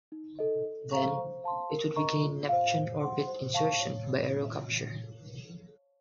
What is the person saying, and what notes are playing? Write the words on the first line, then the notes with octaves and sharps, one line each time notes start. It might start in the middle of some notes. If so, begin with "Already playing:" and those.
Then, it would begin Neptune orbit insertion by aerocapture.
D#4
A4 D#5
A4
C5 F5 A#5 C#6
C5
F5 A5 C6
A#4
D#5 A#5 C#6
F4
C5 F5
C5
F#5 C6
C5
F5 A5 C#6
C#5